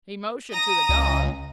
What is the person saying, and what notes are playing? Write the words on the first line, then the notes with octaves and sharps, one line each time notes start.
He motioned to the guard.
A#5 D#6 A#6
C#2